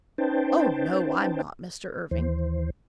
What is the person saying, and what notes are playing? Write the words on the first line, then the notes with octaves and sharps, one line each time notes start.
Oh, no, I'm not, Mr. Irving.
C#4 D#4 B4 C5 G5 A5
D#2 E3 C5